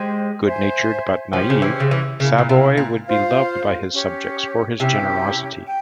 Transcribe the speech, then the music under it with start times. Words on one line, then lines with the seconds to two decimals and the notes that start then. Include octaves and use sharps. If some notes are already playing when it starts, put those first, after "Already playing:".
Good-natured but naive, Savoy would be loved by his subjects for his generosity.
Already playing: G#3 G4 C5 G5
0.46 C5 E5 G#5
1.33 F3 C#4 G4 C5
1.50 C#3
1.62 E3
1.80 C#3
1.91 E3
2.20 C#3 E4 A#4 F5
2.38 A#2
2.49 C3
2.77 A#2
3.06 F4 C5 F5
3.93 C#4 G4 C#5
4.80 C3 C#4 E4 G4
5.66 G5